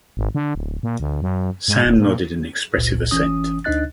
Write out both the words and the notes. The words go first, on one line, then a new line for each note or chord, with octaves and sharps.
Sam nodded an expressive assent.
G#1
D3
D1
A#2
D2
F#2
G#2
D1
A#2
G1 C#2 A#2
G1 E3 C#4 D#6
D2 D4 D#4 D#5 F#6 A6